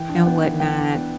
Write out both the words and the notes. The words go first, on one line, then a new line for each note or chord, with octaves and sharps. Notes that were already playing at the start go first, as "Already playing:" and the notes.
and whatnot.
Already playing: E3 G5
D4
F#5
B3 G5
E3
E3 G5
D4
B3